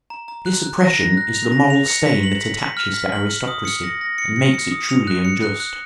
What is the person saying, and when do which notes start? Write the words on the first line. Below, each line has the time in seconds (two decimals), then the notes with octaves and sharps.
This oppression is the moral stain that attaches to aristocracy and makes it truly unjust.
0.10 A#5
0.28 A#5
0.46 F#6
0.64 F#6
0.81 A#6
0.99 A#6
1.17 F#6
1.35 F7
1.52 A#6
1.70 F7
1.88 C#7
2.06 B6
2.23 F#7
2.41 B6
2.59 B6
2.77 F6
2.94 B6
3.12 F#7
3.30 F#7
3.48 D#6
3.65 C#7
3.84 A#6
4.01 A#6
4.18 C#7
4.36 C#7
4.54 C#7
4.72 D#6
4.89 F7
5.07 F#6
5.25 C#7
5.43 F#6
5.60 F#6